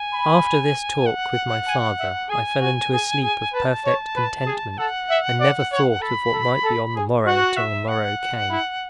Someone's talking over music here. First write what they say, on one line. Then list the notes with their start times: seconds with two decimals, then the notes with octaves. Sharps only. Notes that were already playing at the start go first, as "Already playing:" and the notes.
After this talk with my father I fell into a sleep of perfect contentment, and never thought of what might be on the morrow till the morrow came.
Already playing: G#5
0.13 B5
1.06 F#5
1.67 G#5
1.99 E5
2.30 G#4 G#5
2.60 F#4
2.92 G#4
3.23 G#4
3.54 B4 A5
3.85 C#5
4.16 B4
4.47 G#4
4.78 A4 F#5
5.09 E5
5.40 D5
5.71 C#5
6.01 A4 B5
6.33 A4
6.64 A4
6.95 G#4
7.26 F#4 F#5
7.57 E5
7.88 F#5
8.50 E4